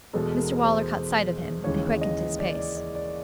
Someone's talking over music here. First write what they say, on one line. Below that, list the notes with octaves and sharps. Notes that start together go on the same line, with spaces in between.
Mr Waller caught sight of him and quickened his pace.
E2 B2 G#3 A4
A#4
C5
D#2 C#3 E3 G#3 C#5
D#5
D5
D5
D#5
D5